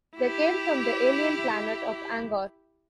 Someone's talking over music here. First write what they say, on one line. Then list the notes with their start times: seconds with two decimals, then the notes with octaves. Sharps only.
They came from the alien planet of Angor.
0.16 E4 G4